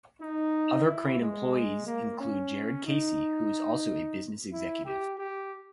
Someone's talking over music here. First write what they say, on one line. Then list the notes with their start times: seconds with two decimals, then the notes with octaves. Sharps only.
Other Crane employees include Jared Casey, who is also a business executive.
0.20 D#4
0.86 E4
1.20 G#3
1.87 A#3
2.20 C#4
2.86 D#4
4.52 E4
4.85 G4
5.17 G4